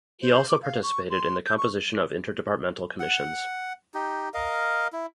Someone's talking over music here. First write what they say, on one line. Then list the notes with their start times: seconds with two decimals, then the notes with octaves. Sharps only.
He also participated in the composition of interdepartmental commissions.
0.22 C5
0.49 D6
0.62 F5
0.83 C#6
1.11 C6
1.46 G6
1.58 C#6
3.00 F#5
3.94 D#4 G4
4.34 A#4 D#5 F5
4.93 E4